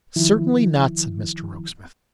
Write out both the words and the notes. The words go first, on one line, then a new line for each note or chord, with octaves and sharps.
Certainly not, said Mr Rokesmith.
D#3 F3 E4